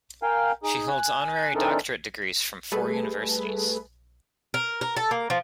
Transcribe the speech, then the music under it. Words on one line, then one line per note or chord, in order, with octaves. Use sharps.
She holds honorary Doctorate degrees from four universities.
A#4 F5 G5 G#5 F6
D#4 G#4
G#5 F#6
E3 C4 D4 D#4 A4 A#4
G3 A3 G#4 A4 B4
A#4
A#4
A4
A#3
F3